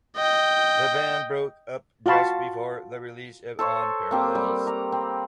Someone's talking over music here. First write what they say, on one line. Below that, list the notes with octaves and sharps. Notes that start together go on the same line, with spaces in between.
The band broke up just before the release of On Parallels.
D#5 G5
F4 F#4 F5 A5 B5 C#6
A4 C5 C#5 C6
A#3 C4 G4
G3
A#5
C4